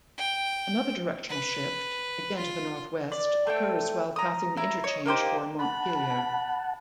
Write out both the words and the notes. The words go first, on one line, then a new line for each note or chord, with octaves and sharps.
Another directional shift, again to the northwest, occurs while passing the interchange for Montpelier.
G5
B4
F4
D5
A3 C4 G5
A#5 D#6
E4 A#5
C#5 D#5
A#3 D#4 G4 C5
F#5 A5 B5